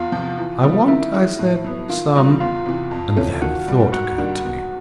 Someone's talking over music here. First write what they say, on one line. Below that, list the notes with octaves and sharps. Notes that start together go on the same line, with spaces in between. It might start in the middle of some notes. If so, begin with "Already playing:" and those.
"I want," I said, "some--" and then a thought occurred to me.
Already playing: E2 F4 F5
C3 F3
E3
G3 B3
D#3 E4 E5
G#3 C#4 F#4
A2
F#3 B3
D#3 F4 F5
G3 C4 D#4 F#4
E2 F4 F5
C3 E3
F2
C3 E3 A3 C#4
D#3 F#4 F#5
G3 C4
G#2 F#4 F#5
D#3 G3 A#3 D4
E2